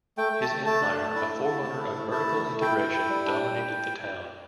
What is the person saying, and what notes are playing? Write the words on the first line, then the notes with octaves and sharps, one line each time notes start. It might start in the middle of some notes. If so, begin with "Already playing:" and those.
His empire, a fore-runner of vertical integration, dominated the town.
A3 G5
A3
A5
A3
A3 A5
D4
A3
E4
E4
A3
A3
E4
A3
E4 A5
A3
E4
E4 G5
E4
E4
G3
D4